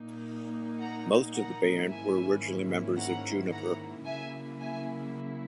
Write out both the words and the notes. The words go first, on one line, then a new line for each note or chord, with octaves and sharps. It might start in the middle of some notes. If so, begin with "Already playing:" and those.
Most of the band were originally members of Juniper.
Already playing: A#2 A#3 D#4
F#5 A#5
F#5 A#5
G#2 D#3 A#3 C#4 E4 E5 G#5
F#5 A#5
F#5 A#5
C#3 F#3 A#3 E4 E5 G#5
E5 G#5